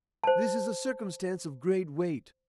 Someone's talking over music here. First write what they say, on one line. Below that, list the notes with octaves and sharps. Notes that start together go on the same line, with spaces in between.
This is a circumstance of great weight.
C5 A5